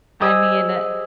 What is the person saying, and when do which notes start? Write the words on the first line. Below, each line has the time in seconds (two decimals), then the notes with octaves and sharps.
I mean, uh,
0.21 G4 G#4 C5 D#5 D#6 E6